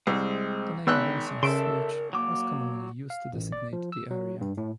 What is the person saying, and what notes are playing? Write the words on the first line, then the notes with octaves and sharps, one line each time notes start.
The name "Wilson's Switch" was commonly used to designate the area.
C2 G#3 C4
G#1 D#3 B3 G5 B5 E6 F#6
C#3 A4 A#4 E5 C6 D7
F#3 A#3 D6
F5
A1
D5
F3
E6
F#3
G2
A2